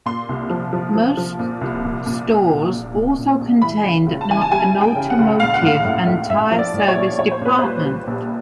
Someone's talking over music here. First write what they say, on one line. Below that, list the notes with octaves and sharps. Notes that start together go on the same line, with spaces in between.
Most stores also contained an automotive and tire service department.
A#2 C6
C2
F3
F3
F3
F3
A#2
C2
A#2
A#2
A#2
A#1
A#1
A#2
A#1
A#1
E3 B5
C#3
C#2
A5
E3 G#5
A5
G3 G#5
G3
G5
C#3
F#5
C#2
A#1 F5
F#5
A2 F5
A2
A2
A2 E5
F3
D5
A2
D5
C#5
A#1
A#1 C#5
C5
A#2 B4
G3 C5
G3
A#1